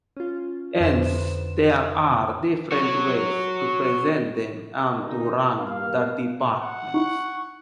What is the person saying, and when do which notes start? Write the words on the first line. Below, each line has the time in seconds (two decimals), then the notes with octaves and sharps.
Hence, there are different ways to present them and to rank the departments.
0.17 C#4 F4
0.80 F2 D3 B4 C5 E7
2.72 F#4 C#5
4.98 B2 D3 A#3 D4 D#4
5.59 G2 A#3 F5
6.61 F#5
6.94 D#4 E4 C#6